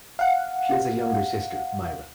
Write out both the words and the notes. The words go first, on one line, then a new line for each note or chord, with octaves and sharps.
She has a younger sister, Myra.
F5 F#5